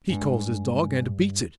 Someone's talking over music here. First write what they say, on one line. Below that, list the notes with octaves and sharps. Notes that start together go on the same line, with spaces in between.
He calls his dog and beats it.
G2 G#3